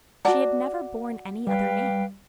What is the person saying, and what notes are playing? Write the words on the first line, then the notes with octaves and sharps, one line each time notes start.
She had never borne any other name.
F#4 D5 F#5 A5 A#5
G3 B4 F5 G5